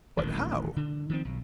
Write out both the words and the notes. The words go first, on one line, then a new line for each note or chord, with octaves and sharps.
"But how?"
D#1 A1 D#3
D3
D#3 F3 C4
B1